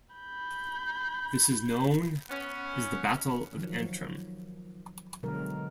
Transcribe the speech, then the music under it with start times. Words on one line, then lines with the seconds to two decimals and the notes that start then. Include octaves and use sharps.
This is known as the Battle of Antrim.
0.15 B5 G6
2.30 B3 C#4
3.57 D#3 F3 F#3
5.23 B2 D3 F#3 G#3 A#4